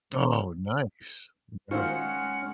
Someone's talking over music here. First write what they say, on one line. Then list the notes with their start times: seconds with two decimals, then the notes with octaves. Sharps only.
Oh, nice. Nice.
1.71 D#3 G#3 C#4 F4 C5 F#5